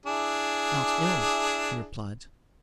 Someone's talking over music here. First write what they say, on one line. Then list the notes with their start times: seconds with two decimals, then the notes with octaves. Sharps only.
"Not ill," he replied.
0.06 D4 E4 G#4